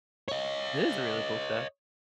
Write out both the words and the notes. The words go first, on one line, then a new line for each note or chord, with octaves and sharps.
This is really cool stuff.
C#5 D#5